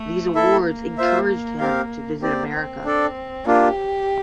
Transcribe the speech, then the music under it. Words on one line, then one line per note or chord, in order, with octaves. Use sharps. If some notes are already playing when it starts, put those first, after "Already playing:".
These awards encouraged him to visit America.
Already playing: A3
A#3 E4 A4 E5
F4 C5 E5
C4 G4 A#4 F5
A#3 C4 G4 D5
C4
D4 A4 D5
A#3 D4 F4 G4